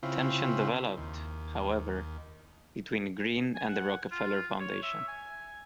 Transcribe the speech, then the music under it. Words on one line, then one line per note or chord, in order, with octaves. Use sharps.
Tension developed, however, between Greene and the Rockefeller Foundation.
C#3 C4 E4 F4
D#2
G#5
F#5
F4
C#5
E5
G#5